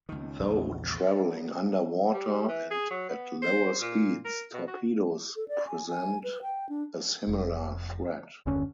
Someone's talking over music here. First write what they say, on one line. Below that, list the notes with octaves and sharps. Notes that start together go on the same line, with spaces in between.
Though traveling under water and at lower speeds, torpedoes present a similar threat.
C#2 D#3
A#1 E2 C#3 G#3
G3
E3
G#4
F#3
B3
C5
A#2
A#4
B2
F#4
A4
D5
G#5
G#5
B4
G5
D4
F1
F#1 D#2 D3 C#4